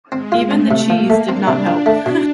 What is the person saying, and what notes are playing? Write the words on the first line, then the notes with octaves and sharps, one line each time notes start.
Even the cheese did not help.
G#3 C4
F4
A3 C4
C3
F3 A#3
A3
C4 D4
C3
F3
A3
B2